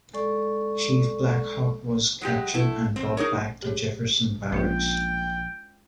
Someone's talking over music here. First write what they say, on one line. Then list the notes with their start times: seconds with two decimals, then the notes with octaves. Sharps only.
Chief Black Hawk was captured and brought back to Jefferson Barracks.
0.14 G#3 A4 D5 C#6
2.22 F#3 G#3 G4
2.54 A3 E4
2.96 C4
3.17 D#4 G#4 A#4 C#5
3.62 G4 G#4 C#5
4.52 A#1 G#3 C#4 F4 G5